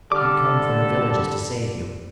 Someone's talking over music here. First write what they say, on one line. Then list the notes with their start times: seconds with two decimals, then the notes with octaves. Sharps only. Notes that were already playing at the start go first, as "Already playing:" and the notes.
He'd come from the villages to save you.
0.12 D3 G3 A4 D6 F6